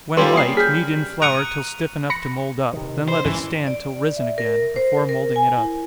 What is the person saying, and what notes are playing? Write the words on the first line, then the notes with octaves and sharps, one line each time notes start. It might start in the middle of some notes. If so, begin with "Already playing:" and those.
When light, knead in flour till stiff enough to mould up, then let it stand till risen again, before moulding it up.
G3 C#4 F4 G4 A4 B4 B5 C6
A#3 D#6 C7
G#4 F6 G6 B6
A#5 C#6 D#6 F#6 D7
B5 A#6 C#7
C3 D#3
C5
G#1 G2 E3 C#4
D5
E5
A#4
C5
A#4
G#5
E4